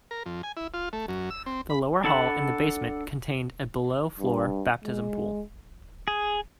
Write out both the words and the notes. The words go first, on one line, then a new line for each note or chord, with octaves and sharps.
The lower hall in the basement contained a below-floor baptism pool.
A#4
F2
G#5
E4
F4
A3
F#2
E6
C4
B5
D4 A4 F#5 B5
G2
G#3
G#4